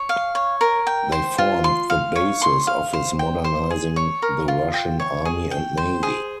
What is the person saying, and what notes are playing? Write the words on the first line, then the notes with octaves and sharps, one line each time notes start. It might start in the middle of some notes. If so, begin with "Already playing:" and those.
They formed the basis of his modernizing the Russian army and navy.
Already playing: C#5
F5
C#5
A#4
G5
C5
F4
C6
F5
C#5
C6
F5
C5
G5
C5
G#4
C#5
A#4
F4
G5
C#5
G#4
G5
C5
G#4